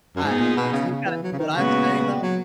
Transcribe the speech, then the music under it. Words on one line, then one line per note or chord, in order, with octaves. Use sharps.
I do you kinda see what I'm saying, though?
F#2
G#2 B3 D#4 G#4
A#2
B2
C#3
C#3
E3
F#3
C#3
D#3
A#2 C#3 G#3 B3 F#4 B4
F#3